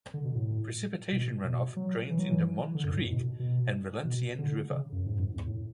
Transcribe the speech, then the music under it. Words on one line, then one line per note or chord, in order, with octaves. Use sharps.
Precipitation runoff drains into Mons Creek and Valenciennes River.
D3
B2
A2
B2
B2
F#3
E3
F#3
E3
D3
F#2
G#2
A2
B2
B2
B2
D3
C#3
F#2
G#2
F#2
E2
A2